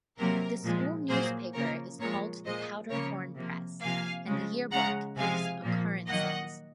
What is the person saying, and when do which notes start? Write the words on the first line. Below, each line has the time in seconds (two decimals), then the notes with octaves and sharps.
The school newspaper is called the "Powder Horn Press" and the yearbook is "Occurrences".
0.18 C3 F#3 A#3 A#4
0.64 A#2 F3 G#3
1.09 A#2 F#3 A#3 G#4 C5
1.54 C#3 F3 A#3 A#4 C#5
2.00 A#2 F3 G#3 A#4 C#5
2.45 A#2 G#3 C5 D#5
2.90 C#3 F3 A#3 A#4 C#5
3.36 C3 F3 A#3
3.81 C3 F3 A#3 F5 G#5
4.26 C#3 F3 G#3
4.72 C#3 G#3 F#5 A#5
5.17 C3 F3 G#3 F5 G#5
5.63 A#2 F3 A#3
6.08 D#3 F#3 A#3 D#5 F#5